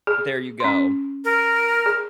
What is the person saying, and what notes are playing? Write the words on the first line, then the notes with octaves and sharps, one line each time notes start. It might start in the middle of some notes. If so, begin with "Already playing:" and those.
There you go.
G#4
C#4 C6
A#4
G#4